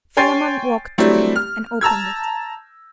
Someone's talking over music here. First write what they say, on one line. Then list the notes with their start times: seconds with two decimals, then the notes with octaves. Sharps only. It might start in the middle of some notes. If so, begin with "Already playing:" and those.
Philammon walked to it, and opened it.
0.17 C#5 G5 G#5 C6 A6 C7
0.98 F#3 G3 A3 C4 D4 E4
1.36 F6
1.81 A5 A#5 E6 G#6